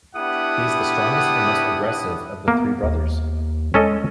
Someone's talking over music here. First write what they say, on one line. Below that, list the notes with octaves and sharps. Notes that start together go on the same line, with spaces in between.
He is the strongest and most aggressive of the three brothers.
B3 D4 E4 G4 F#5 D#6
A#3 B3
D#2
G#3 C#4 A4 D#5